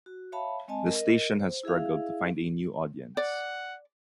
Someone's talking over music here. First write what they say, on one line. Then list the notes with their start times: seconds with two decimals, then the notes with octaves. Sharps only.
The station has struggled to find a new audience.
0.06 F#4
0.32 C#5 E5 F5 A5 B5
0.68 G#3 C4 D#5 G#5 A5
0.86 A#4 D#5
1.40 C5
1.63 E4 G#4 E5 F5
3.17 D5 F#5